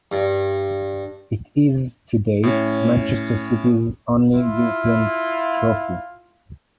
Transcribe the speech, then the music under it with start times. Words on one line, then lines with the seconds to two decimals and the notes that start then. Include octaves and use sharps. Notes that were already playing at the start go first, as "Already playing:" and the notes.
It is, to date, Manchester City's only European trophy.
0.12 G2
2.43 A2 C#4
4.32 E4 F4